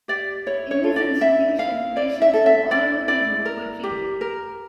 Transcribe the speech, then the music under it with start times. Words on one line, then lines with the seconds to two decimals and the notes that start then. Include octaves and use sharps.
In his institution patients from all over Europe were treated.
0.08 G4 D5
0.46 E4 C#5
0.71 C#5
0.84 A4
0.96 D5
1.21 E4 E5
1.58 E4 F5
1.96 E4 D5
2.22 E5
2.34 A4
2.46 E5
2.71 E4 D5
3.08 E4 D5
3.45 A#4
3.83 G4
4.21 A#4